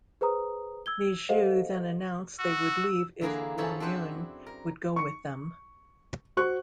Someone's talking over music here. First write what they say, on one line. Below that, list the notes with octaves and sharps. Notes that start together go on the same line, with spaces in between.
Li Jue then announced they would leave if Wang Yun would go with them.
G#4 B4 C5 A#5 D#6
E6 G#6 G7
G4 A4 C5 D#5 F5 F#5
F#4 E6
D3 E3 A#3 G#4 A#4 B4
F#2 F3 G#4 A4 C#5 B5
C4 D4 E4 B4 C5 F#5
A#4
C#6 C#7
F#4 C5 C#6 F#6